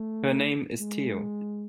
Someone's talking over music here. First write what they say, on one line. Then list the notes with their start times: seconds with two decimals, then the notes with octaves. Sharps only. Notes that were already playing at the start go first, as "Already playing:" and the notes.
Her name is Teo.
Already playing: A3
0.80 G#3